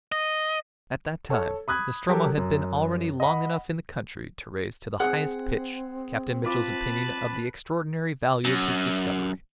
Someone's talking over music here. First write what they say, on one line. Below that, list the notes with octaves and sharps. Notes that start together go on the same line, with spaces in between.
At that time Nostromo had been already long enough in the country to raise to the highest pitch Captain Mitchell's opinion of the extraordinary value of his discovery.
D#5
A4 C#5
B5 D#6 F#6 G#6
F#3 G4 A4 A#4
F#2
D#5 F#5 B5
C4 G#4 F#5
F4 B4 A5 B5 D6
F#2